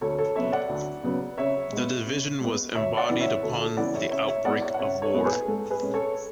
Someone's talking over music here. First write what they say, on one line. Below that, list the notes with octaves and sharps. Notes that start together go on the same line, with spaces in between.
The division was embodied upon the outbreak of war.
D2 A4 C#5
A4 C#5
C#3 F#3 B3 C#5 E5
D5 F#5
D2
C#3 F#3 B3
C#3 C#5 E5
G#3 B3
C#3
G#3 B3
D2 C#5 E5
D5 F#5
C#3 E3 B3 E4
C#5 E5
D2 A4
A4
C#3 E3 B3 E4 D5 F#5
C#5 E5
C#3 C#5 E5
C#5 E5
G#3 B3 E4 D5 F#5
C#5 E5
F#5
C#3 C#5 E5
A4 C#5
G#3 B3 E4
G#4 B4
G#2 A4
G#4 B4
G#3 C#4
A4 C#5